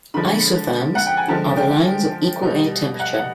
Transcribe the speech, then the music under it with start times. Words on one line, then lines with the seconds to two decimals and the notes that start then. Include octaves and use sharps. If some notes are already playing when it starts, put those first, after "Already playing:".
"Isotherms" are the lines of equal air temperature.
0.14 D3 F3 G#3 B5
0.95 F#5
1.06 G5
1.17 G#5
1.28 D3 F3 G#3 A5
1.57 G5
2.42 B2 G3
3.00 F#5
3.18 F#5